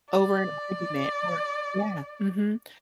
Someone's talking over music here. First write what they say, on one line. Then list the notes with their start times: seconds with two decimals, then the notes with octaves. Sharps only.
over an argument. Or Yeah. Mhm.
0.11 D5